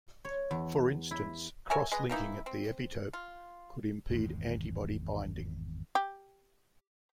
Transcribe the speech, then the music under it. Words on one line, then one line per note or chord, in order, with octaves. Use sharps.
For instance, cross-linking at the epitope could impede antibody binding.
C#5
E2
E4
A#4 C#5 E5 G#5
G#3 B4 D#5
E3 A#3 D#4 E4
C4
F4
G#1 E2 G2 G#3
G4